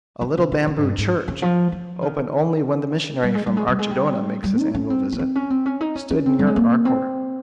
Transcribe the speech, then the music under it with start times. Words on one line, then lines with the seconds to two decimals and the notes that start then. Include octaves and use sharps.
A little bamboo church, open only when the missionary from Archidona makes his annual visit, stood near our quarters.
0.21 F3
0.37 C#3
0.52 C#3
0.67 C#3
0.77 G#2
0.82 G2
0.98 G#2
1.28 C#3
1.42 F3
1.72 F3
2.02 D#3
3.23 G3
3.35 G#3
3.46 G3
3.57 G#3
3.68 G3
3.79 G#3
3.91 G3
4.44 G3
4.59 D#4
4.75 C#4
4.90 C4
5.13 A#3
5.19 C4
5.35 C#4
5.50 C4
5.66 C#4
5.81 D#4
5.96 C#4
6.10 C#4
6.26 C4
6.39 G3
6.47 G#3
6.56 A#3
6.85 C4